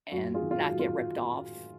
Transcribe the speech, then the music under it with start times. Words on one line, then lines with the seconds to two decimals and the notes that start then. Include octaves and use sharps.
And not get ripped off.
0.12 F#2 F#4
0.34 F4 G#4
0.42 D#3
0.51 F4
0.57 F#4
0.72 F#3
0.79 F4